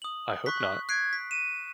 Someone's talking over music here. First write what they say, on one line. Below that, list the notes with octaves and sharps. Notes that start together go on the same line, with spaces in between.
I hope not.
D#6 F#7
C#6 F#6 B6
F#6 G#6 C7 D7
B6
D#7 E7